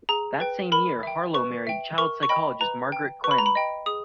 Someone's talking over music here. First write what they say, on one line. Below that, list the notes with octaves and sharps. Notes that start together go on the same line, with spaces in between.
That same year, Harlow married child psychologist Margaret Kuenne.
G#4 A#5
B4 G5
A#4 B5
E5 G5
B4 C#6
E5 G5
A#4 C#6
C#6
D#5 G5 B5
B4 A#5
G5
B4 C#6
B5
A#5
B5
D#5 G5
G#4 D#6